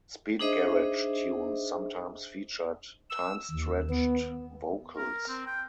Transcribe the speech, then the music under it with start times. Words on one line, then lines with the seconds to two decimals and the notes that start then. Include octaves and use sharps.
Speed garage tunes sometimes featured timestretched vocals.
0.39 D4 D#4 G#4 C5 D#5 E5
3.10 E6
3.51 D#2
3.90 B3
4.97 A#4
5.28 C4
5.46 G5